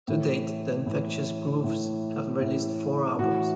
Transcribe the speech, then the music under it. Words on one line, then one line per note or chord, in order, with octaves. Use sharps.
To date, the Infectious Grooves have released four albums.
A2 E3
A2 E3
A2 E3
A2 E3
A2 E3 F#4